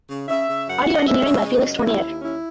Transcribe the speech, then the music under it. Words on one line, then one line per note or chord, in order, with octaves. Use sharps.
Audio engineering by Felix Tournier.
C#3
C#3 E5
C#3
F#2 F#5
F#2
D#5
G#3 E5
C#3
F#2 D#5
C#4
F#4
D#2 E4
D#2
C#4 E4